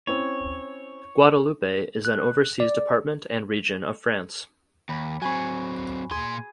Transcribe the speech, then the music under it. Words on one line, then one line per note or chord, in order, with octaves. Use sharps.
Guadeloupe is an Overseas department and region of France.
C4 C#4 E4 C#5
F#6
D5
D#2 B5
F#3 C4 G#5 B5 C#6
A#2 G#4 C6